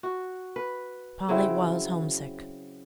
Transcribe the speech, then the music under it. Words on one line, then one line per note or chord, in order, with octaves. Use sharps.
Polly was homesick.
F#4
B4
C#3 F#3 C4 E4